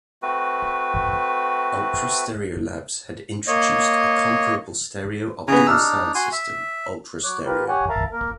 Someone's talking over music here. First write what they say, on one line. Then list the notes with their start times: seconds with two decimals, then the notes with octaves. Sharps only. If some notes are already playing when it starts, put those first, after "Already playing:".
Ultra Stereo Labs had introduced a comparable stereo optical sound system, Ultra Stereo.
0.23 A3 C4 F#4 B4
3.47 A#3 C#5 D#5
5.48 C#3 B3 G#4 G#5 A#5
5.67 D4 D#4 E6 F6
6.15 F#4 G#5 C6
6.32 E5
7.24 F#3 C#5 D6 F#6
7.46 F4 G4 A#4 B4
7.68 G4 C#5 F#5 G#5
7.89 A#4 E5 F5 A5 A#5
8.12 A#3 A#4